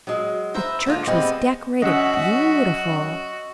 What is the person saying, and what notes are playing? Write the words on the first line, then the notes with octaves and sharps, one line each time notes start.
The church was decorated beautiful.
F#3 G#3
B4 C5 E5 A#5
D3 G#3 A#3 F4
G3 G#3 B3 C4
F#2 F#4 D#5 F#5 E6